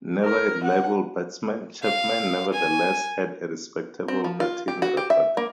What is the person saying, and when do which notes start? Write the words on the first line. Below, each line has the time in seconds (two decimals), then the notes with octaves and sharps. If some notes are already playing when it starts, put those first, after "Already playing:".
Never a reliable batsman, Chapman nevertheless had a respectable batting record.
0.25 A#4
0.64 F#5
1.83 F5
2.53 G#5
4.08 C4
4.24 F3
4.40 F4
4.68 G4
4.82 F#4
4.97 G4
5.10 E5
5.37 A#3